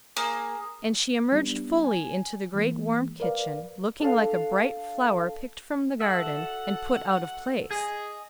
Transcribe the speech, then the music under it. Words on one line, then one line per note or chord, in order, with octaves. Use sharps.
And she emerged fully into the great warm kitchen, looking like a bright flower picked from the garden, and put out of place.
A#3 G#4
G3 B3 D4
G#5
E3 G#3 A#3
A#4 B4 D5 F5
D4 A4 F5
F#4 A4 E5 F#5
G#4 D#5 G#5